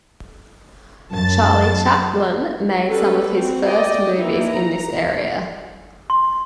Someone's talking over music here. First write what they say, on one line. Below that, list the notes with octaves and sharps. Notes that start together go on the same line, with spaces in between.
Charlie Chaplin made some of his first movies in this area.
F#2 A5 A6
G3 C#4 G4 A4 B4
C4 F#4
D5 D#5 G5
E3 A#3 D#4 E4
A#5
C6